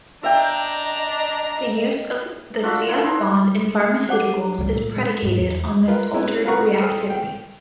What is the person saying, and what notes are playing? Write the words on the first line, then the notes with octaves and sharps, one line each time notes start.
The use of the C-F bond in pharmaceuticals is predicated on this altered reactivity.
D4 D#5 E5 G5 A#5
D4 F4 F#4 E5
B3 E4
F#3 D#4 C6
G#3
G3 D4 C5 F#5 D6
C#2 F#3 G3
A#2
G#3
F2 G#2
E2
F4 A#4 B4
B3 C#4 E4
F4 A#4 B4 F#5 A#5 C#6
G#4 A4 C5 G5 E6 F6
G5